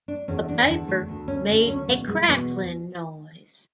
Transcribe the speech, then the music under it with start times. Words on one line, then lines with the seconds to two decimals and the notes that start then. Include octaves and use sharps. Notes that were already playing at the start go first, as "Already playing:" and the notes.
The paper made a crackling noise.
0.08 D4
0.28 E2 D3 C#4
0.48 D4
0.68 E2 D3
0.88 A3
1.08 D2 D3
1.28 C#4
1.48 D2 C#4
1.52 D3
1.68 C#4
1.78 C#4
1.88 E2 B2 B3
2.08 G#3
2.28 E2 B2 B3